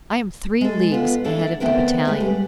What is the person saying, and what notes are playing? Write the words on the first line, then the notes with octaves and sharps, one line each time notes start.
"I am three leagues ahead of the battalion."
G#3 A4
B3 F4
D4 E4 A4 C#5
D2 A3 B3 C4 A#4
G#3 A3 B4
G3